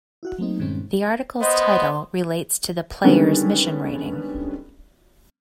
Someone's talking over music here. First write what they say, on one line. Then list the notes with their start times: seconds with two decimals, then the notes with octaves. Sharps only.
The article's title relates to the player's mission rating.
0.23 E4 F#4 F#5
0.38 F#3 A3 A#3 C4 D#4
0.59 G2 A#2 D#3 G#3 C4 C#4
1.41 B3 C5 D#5 C6
3.04 D3 D#3 G3 G#3 B3 C#4